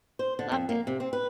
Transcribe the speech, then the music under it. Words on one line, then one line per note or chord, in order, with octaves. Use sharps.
Loved it.
C5
D3
F2
A#3
C3
C4
B4